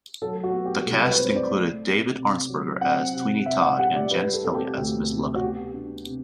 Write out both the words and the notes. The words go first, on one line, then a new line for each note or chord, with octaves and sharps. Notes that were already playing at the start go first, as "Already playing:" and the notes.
The cast included David Arnsperger as Sweeney Todd and Janis Kelly as Mrs. Lovett.
F#3 A4
F#4
B3
G4
C2 A4
B4
C3 C5
C5
D5
A3
C4
C3
F#3
C4 F#5
C3
C3 E5
F#5
G3 F#5
D5
G3 B4
A4
C4 A4
G4
D2 G4
C3
F#4
B3 G4
D4
C3